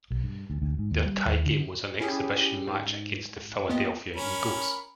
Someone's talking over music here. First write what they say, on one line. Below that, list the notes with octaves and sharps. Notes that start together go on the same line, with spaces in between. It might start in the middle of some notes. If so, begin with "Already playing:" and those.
Their tie game was an exhibition match against the Philadelphia Eagles.
B1
G2
D2
D2
G#2
D#2
G3
D#2
D3
C#4 E4 G4 G#4
G#2
A#3 B3 F4 G4 D#5
C#4 A#4 B5